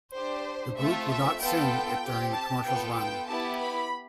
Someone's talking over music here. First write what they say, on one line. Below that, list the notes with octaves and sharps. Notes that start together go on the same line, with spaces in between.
The group would not sing it during the commercial's run.
D4 G4 C5
A3 C4 F4 A4 E5
E5
B3 F4 A4 G5
C4 G4
A5
B3 F4 A4 G5
G5
B3 E4 G4 A5
B5